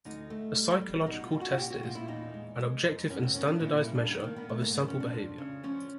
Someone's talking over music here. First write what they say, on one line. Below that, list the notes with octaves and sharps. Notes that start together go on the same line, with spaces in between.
A psychological test is "an objective and standardized measure of a sample of behavior".
D2 D#4
A3
G3
G3
B2 D#4
F4
B2
F#4
F#4
A#2 G4
F#4
A#2 F4
E4
E2 D#4
G#3
G#3
F2
F#2 C#4
C4
D#3 C#4
D4
A#2 E4
E4
G3
D4
D#3 B3
A#3
D#3 B3
A3
G#2 A#3
B3
F3 C#4
D4
F2
C#3
F3 C#4